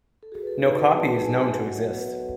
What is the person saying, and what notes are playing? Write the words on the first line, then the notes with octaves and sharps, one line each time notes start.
No copy is known to exist.
A4
F#4 G#4
B4
A4
D#4 B4
D#5
B3 A5
F#3 G#5
E5
F#4 F#5
D#5
C#5
B3
B4
F#4 A4